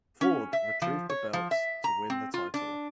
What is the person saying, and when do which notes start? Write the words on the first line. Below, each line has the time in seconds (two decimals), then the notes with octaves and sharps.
Ford retrieved the belts to win the title.
0.21 C#4
0.53 E5
0.82 F3
1.10 C#5
1.33 F3
1.51 E5
1.84 A#5
2.10 C4
2.34 F4
2.54 D4